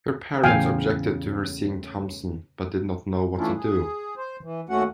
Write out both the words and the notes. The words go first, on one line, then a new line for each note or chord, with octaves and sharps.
Her parents objected to her seeing Thompson but did not know what to do.
E2 A2 C#3 F5 G5 G#5
E3 A3 C#4 D4 E4 F4
G#4
C5
E3
D#2 A3 C#4 F#4 F#5